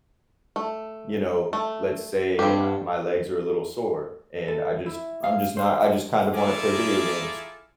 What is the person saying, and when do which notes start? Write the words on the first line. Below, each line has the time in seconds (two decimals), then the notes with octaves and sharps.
you know, let's say I my legs are a little sore, and I just I'm just not I just kind of wanna play video games.
0.56 A3
1.53 A3
2.39 G2 C4 G4
4.48 A4
4.86 E4
5.24 F5
5.57 C5
6.33 E4 F4 G#4 A4 A#5 D6